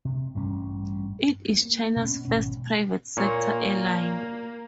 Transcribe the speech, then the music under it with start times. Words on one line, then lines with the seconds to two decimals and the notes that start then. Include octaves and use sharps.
It is China's first private sector airline.
0.05 C3
0.35 A1 G2 G3 C#4
1.49 A#3
1.96 B2 C4 C#4
2.25 G#1 B2 C#4
3.17 A#2 A#3 C#5